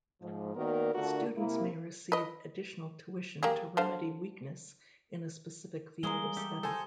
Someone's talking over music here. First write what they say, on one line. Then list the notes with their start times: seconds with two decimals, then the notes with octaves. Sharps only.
Students may receive additional tuition to remedy weakness in a specific field of study.
0.22 G#2 F3
0.56 D#3 A#3 B3 F#4 A#4 D5
0.94 D3 A3 D4 F4 F#4 A#4
1.37 C3 A#3 E4
2.12 B4 D#5
3.43 A#3 G4 G#4
3.77 D3 C5 F5
6.03 E3 G3 G#3 A#3 G#4 A#5 D#6 G7
6.37 G4 A4 E5
6.63 A4 C5 G#5 A#5